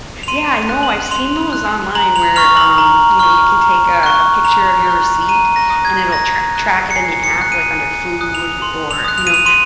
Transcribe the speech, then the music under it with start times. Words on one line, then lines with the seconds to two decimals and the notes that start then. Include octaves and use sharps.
Yeah, I know, I've seen those online where, um, you know, you can take a a picture of your receipt, and it'll tra track it in the app, like, under food y or you know
0.23 F7
0.28 C6 D#7
0.69 F#6
0.83 F#7
1.11 C6 F7
1.53 F#6
1.95 A#5 F#7
2.16 F7
2.36 C#6 F6 F7
2.57 F#7
2.78 A#5
3.19 C#6 F6
3.61 A#5
4.03 C#6 F#6
4.45 A#5 F7
4.87 C#6 F#6
5.28 A#5 D#7
5.56 A#6
5.70 D#6 F#6
5.85 G#6
6.12 A#5 A#6
6.54 D#6 F#6
6.91 C#7
6.96 G#5 C7
7.24 C#7
7.38 D#6 F#6
7.52 D#7
7.79 G#5
8.21 D#6 F#6
8.35 F7
8.62 C6
8.91 F7
9.04 D#6 F#6
9.18 F7
9.27 D#7
9.34 F7
9.46 C6 D#7